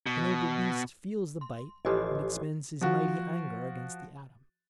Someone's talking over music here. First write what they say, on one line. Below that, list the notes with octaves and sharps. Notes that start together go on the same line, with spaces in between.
The noble beast feels the bite, and expends his mighty anger against the atom.
B2
C6
A1 E3 F3 G4 D#5
F3 F#4